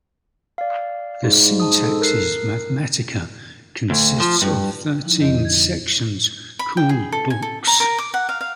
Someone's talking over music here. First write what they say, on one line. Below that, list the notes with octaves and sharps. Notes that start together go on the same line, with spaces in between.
The "Syntaxis Mathematica" consists of thirteen sections, called books.
D5 F5
G#2
A5 D#6
A4
A#4 F#6 C7
D2
F3
G2
F3 D#4 E4
F2 D3 C#4 E4 D#5 G6
G#6
B5
G5
G#4
A4
G#5
A4
A#5
A#4
D6
F#5
F5
F5